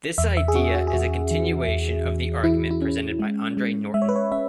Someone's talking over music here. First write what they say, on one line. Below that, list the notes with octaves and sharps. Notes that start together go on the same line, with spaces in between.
This idea is a continuation of the argument presented by Andre Norton.
E2 E5
E5
G#4
C#4 F#4
F#4
G#4
E2 F#4
E3
E2
E2
E3 E4
E4
C#4
G#3
G#3
G#3 E5
C#5
B4
C#5
C#4 E5